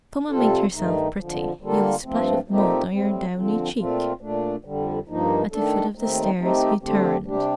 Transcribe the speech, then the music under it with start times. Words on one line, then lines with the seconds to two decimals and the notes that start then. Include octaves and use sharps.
"Come and make yourself pretty: you've a splash of mud on your downy cheek." At the foot of the stairs he turned.
0.30 C3 G3 C4 F4 A4
0.73 G2 D#3 A3 D#4
1.18 F2 D3 F3
1.61 D3 G3 A#3 F4 A4
2.04 G2 F3 A3 C4
2.48 A#2 A3 C4 D#4 G4
2.91 A2 G3 C4
3.34 D3 F3 C4
3.77 A#2 A3 C4 F4
4.21 A#2 A3 D4
4.65 F2 D3 G3
5.08 G2 F3 A#3 D#4
5.52 D#3 A3 D4 A4
5.95 D#2 D#3 A3 C4 D#4
6.38 D#3 A3 C4 D#4 G4
6.82 D3 A3 C4 G4
7.26 C3 G3 D4 G4